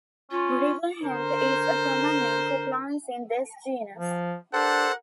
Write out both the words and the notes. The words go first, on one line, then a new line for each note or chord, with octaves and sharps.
Riverhemp is a common name for plants in this genus.
C#4 F4
D3 A#4 C5
F3
D4 G4 A4 A#4 C5 F#5 A5